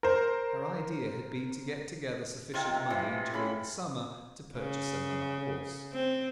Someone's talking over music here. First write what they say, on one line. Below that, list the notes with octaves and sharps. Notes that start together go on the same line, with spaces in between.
Her idea had been to get together sufficient money during the summer to purchase another horse.
A#4 C5
C3 D#3 C4 F4
C3
C3 E3 F3
C#3 B5
C#3
C4